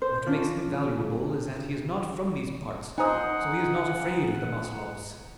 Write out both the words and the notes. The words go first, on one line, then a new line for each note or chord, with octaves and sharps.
What makes him valuable is that he is not from these parts, so he is not afraid of the Maslovs.
C5
C#4 D4 F4
D#4 C5 F#5 G#5 A#5 D#6